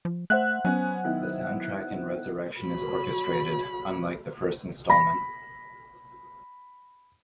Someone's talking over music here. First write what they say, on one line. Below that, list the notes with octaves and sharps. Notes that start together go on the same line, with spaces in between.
The soundtrack in "Resurrection" is orchestrated, unlike the first instalment.
F3
A3 C5 E5 F#5 F#6
F#3 B3 C#4 G#5
D#3 B3 E4
F#3 B5
B5 A#6